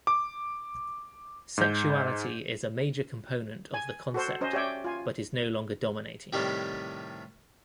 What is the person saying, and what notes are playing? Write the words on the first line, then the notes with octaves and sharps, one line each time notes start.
Sexuality is major component of the concept but is no longer dominating.
D6
G#2 G6
G#5
F#4 A4 C5
C#4 C5 D#5
G4 C#5 D5 E5 G5
F4 G#5
A2 C3 D#3 G3 A3